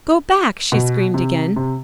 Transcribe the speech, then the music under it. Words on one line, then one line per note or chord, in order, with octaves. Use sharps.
"Go back!" she screamed again.
B2
C3
C3